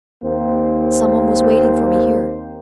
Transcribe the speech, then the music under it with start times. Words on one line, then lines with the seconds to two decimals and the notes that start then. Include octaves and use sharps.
"Some one was waiting for me here."
0.23 D#2 A#3 C4 C5